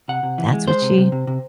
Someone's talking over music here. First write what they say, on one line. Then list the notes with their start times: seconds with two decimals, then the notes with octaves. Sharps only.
that's what she
0.08 C3 F#5
0.23 C3
0.38 E3
0.53 G#3
0.67 G#3 C5
0.82 C3
0.98 C3
1.12 C3
1.27 C3